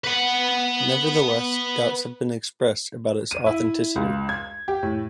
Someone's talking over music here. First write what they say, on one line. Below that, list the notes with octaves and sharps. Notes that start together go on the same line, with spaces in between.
Nevertheless, doubts have been expressed about its authenticity.
B4 F#5
D#7
E4
C#2
G#6
G4
A2